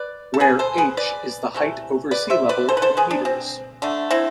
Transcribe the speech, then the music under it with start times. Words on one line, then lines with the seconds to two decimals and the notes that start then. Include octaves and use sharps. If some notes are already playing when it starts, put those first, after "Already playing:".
Where "h" is the height over sea level in meters.
Already playing: B4 D5
0.34 A4
0.40 G#4 B4
0.59 A4 C5
0.78 G#4 B4
0.97 B4 D5
1.54 C3 E3 A3
2.11 B4 D5
2.30 C5 E5
2.49 B4 D5
2.69 A4 C5
2.77 B4
2.82 A4 C5
2.97 G#4 B4
3.11 D4
3.25 C4
3.82 D3 A3 D4
4.11 C4 E4